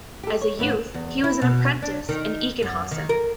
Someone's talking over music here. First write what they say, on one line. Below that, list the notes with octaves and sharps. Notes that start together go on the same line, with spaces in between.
As a youth, he was an apprentice in Ichenhausen.
G4 A4
C#5
D#2 A2 B4 F#5
E2
E4
B2
D4
D#3
F#2
D#3
A#4